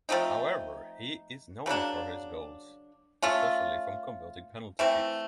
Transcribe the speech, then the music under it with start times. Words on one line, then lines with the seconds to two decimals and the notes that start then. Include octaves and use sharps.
However, he is known for his goals, especially from converting penalty kicks.
0.09 F3 A3 C4 D#4
1.66 C#3 F#3 A#3 D4
3.22 A3 C#4 F4
4.79 E3 A3 C4